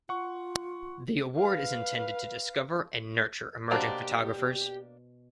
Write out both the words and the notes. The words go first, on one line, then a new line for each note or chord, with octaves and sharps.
The award is intended to discover and nurture emerging photographers.
F4 F#5 C#6
B4 F5
B2 A#3 D4 G4 C5 D5